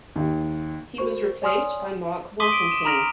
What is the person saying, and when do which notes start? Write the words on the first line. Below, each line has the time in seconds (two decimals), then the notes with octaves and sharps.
He was replaced by Mark Warkentien.
0.16 D#2
0.98 F#4 A#4 C5 C#6
1.42 C#5 D5 G#5 C6 D#6 F6
2.40 C6 D6 D#6 B6 D#7 G7
2.52 D7
2.72 E7
2.85 A#5 B5 F6 A#6 D7 F7